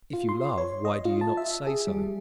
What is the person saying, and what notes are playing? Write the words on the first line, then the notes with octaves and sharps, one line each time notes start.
If you love, why do you not say so?
F4
C6
C#5
D#5
F4
A5
E5
G#4
G3